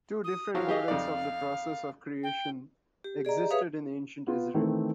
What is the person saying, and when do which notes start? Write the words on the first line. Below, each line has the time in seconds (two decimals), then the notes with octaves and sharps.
Two different models of the process of creation existed in ancient Israel.
0.24 D#6
0.55 F3 F#3 F5
0.69 G4 G#4 D#5
0.88 F2 D#4 D5
2.23 G5
3.04 G4
3.25 G#4 D5 D#5 A#5
3.38 G4
3.50 G#4 B4 C#5 E5 F5 D#6
4.27 B3 F4
4.54 D#3 E3 A3 C4